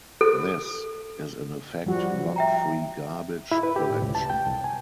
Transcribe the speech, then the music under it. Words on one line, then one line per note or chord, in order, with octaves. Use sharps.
This is in effect lock-free garbage collection.
A4
F3 G3 F#4
E5 G5 A#5
E4
B4
G4
A2
C#2
A5
G5
C2
G#5